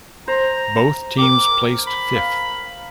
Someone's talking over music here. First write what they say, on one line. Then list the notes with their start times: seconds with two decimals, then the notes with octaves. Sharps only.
Both teams placed fifth.
0.28 C5 A#5
1.18 A#4 G5 D6
1.87 B5
2.15 F5